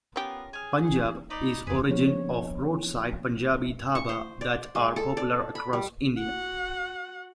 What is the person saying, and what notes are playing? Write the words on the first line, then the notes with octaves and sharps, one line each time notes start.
Punjab, is origin of roadside Punjabi dhaba that are popular across India.
B3 C#4 F4 G4 A#4
G#4 G#5 F6
D#4 B4 D5
F#1 E2 G#4 B4 D5
F3 A#3 B3 D4 C#5
C#5
C#6
C5
D5
G#3
A4
D5
B5
G3
F#4 F#5